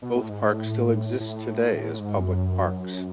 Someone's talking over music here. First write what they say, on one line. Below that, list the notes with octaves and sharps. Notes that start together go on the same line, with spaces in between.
Both parks still exist today as public parks.
B2
A2
G#2
A2
A2
G#2
F#2